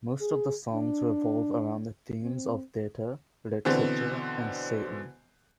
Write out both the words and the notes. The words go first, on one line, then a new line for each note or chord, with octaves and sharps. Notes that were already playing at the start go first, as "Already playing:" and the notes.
Most of the songs revolve around the themes of theater, literature, and Satan.
G#4
D4
C4
B2 D3 E3 C4